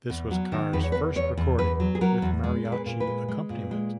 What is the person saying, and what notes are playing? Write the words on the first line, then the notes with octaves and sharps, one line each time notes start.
This was Carr's first recording with mariachi accompaniment.
E2
F#3
D#3
E2 B4
C#5
B4
E2
E2 C#5
E2
E2 B4
F#3
G#4
F#3 A#4
E2
G#3 G#4
A#2
B4
A#2
B4
G#3
G#3
A#2
G#3